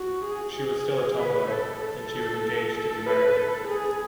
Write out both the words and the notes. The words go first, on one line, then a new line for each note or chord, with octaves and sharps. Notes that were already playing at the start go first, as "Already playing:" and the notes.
She was still a tomboy; and she was engaged to be married.
Already playing: F#4
G#4
G#4
B4
A4
A4
A4
B4
A4
G#4